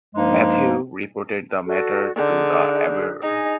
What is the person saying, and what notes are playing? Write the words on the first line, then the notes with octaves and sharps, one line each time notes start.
Mathieu reported the matter to the Abwehr.
G2 F3 G#3 A#3 D#4
F#4 A4 D5
D3 D#4 G#4 F#6
D#4 G#4 D#5 G#5